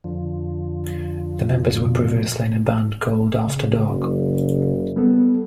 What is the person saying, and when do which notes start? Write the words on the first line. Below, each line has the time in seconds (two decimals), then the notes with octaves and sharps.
The members were previously in a band called After Dark.
0.04 F2 D3 F3
1.85 B2
3.47 C#3
3.88 F#1
4.96 G3 B3 A4